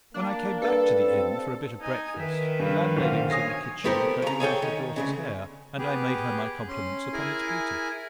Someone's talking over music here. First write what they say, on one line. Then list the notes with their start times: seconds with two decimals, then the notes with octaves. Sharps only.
When I came back to the inn for a bit of breakfast, the landlady was in the kitchen combing out her daughter's hair; and I made her my compliments upon its beauty.
0.14 A#3 D4
0.62 G2 A4
1.03 C4
1.81 D#4 G#5
2.18 D#3 B4 E5
2.60 G2
2.97 B1 D3 C5 F5
3.30 C#5 G#5 D#6 A#6 C7
3.84 A3 B3 G4 A#4 C5
4.22 C#3 A#5
4.40 G#4 A4 C#5 G5
4.62 D#3
4.96 D2 G2 C#3
5.78 B3 G4 G#4
6.68 C#4 C6
7.13 E4 G#4 A#4 G#5